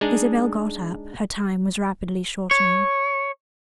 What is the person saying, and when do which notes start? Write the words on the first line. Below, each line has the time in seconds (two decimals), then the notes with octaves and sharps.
Isabel got up; her time was rapidly shortening.
0.01 G#3 D4 D#4 G#4
2.51 C#5